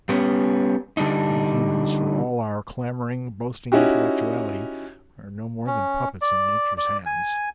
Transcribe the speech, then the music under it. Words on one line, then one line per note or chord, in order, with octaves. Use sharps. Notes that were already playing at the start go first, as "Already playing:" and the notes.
We humans, for all our clamoring, boasting intellectuality, are no more than puppets in Nature's hands.
G3 B3 C#4
D3 G3 D4 D#4
C#4 D#4 E4 F#4 G4
C#4
D5
D5
G#5